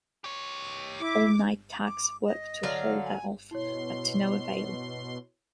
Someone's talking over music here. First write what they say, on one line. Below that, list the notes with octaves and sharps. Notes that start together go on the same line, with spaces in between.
All night tugs worked to haul her off, but to no avail.
G4 C#5
E4 D6
D6
D#5
D3 F#3 F5
G#5
B2 E4 C#5 C6